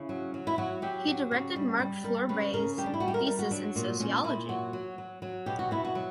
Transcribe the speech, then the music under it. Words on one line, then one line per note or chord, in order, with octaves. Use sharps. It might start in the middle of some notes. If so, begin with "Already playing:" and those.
He directed Marc Fleurbaey’s thesis in Sociology.
Already playing: C#3 E4
F#3
F#3
E4
F#3 F#4
F#3 G4
F#3
C#3
G3
G3
G3 A#4
C#3 B4
C#3 A#4
G3 G4
D4
E4
G3 F#4
G4
A#4
G3 A#4
F#4
F#3 D4
A#2
A#2 C#4
A#2 E4
F#3 F#4
F#3
F#3
F#3
B2 G4
F#4
B2 E4
F#4
F#3